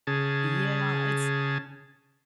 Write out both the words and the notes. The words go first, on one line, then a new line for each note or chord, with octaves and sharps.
Yeah, it's
C#3 G#4 A5